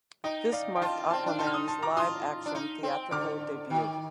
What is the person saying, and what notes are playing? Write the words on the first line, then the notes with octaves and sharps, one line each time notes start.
This marked Aquaman's live action theatrical debut.
D#4 D#5 G5
D5 F5
G5
F4 F5 A5
C4 A5 C6
D4
D#4 A5 C6
F6
C6 D#6
A5 C6
A#5 D6
F4 C6 D#6
D4
D#4
C4
D3 D6 F6
D#3